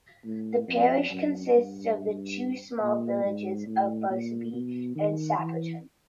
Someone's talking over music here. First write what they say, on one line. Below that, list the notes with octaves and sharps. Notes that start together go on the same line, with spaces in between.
The parish consists of the two small villages of Braceby and Sapperton.
A2
F2
F#2
G2
A#2
G#2
A2
A#2
B2
D#3
E3